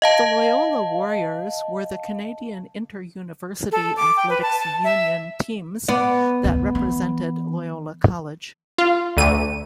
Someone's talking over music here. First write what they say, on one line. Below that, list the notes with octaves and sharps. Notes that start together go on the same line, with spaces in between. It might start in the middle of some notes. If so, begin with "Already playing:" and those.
The Loyola Warriors were the Canadian Interuniversity Athletics Union teams that represented Loyola College.
D#5 F5 A5
A4
D6
G5
B4
A5
A5
E5
B3 D5
D2
E3
F4
D2 D#7